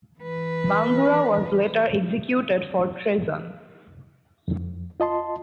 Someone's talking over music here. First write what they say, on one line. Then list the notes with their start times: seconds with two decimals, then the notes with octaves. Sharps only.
Bangura was later executed for treason.
0.19 E3 B4
4.48 F2
5.00 F4 D#5 A5 C6